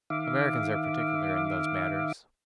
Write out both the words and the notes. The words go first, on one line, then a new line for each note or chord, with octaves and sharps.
Americans are particular in those matters.
D#3 E5 F5 D6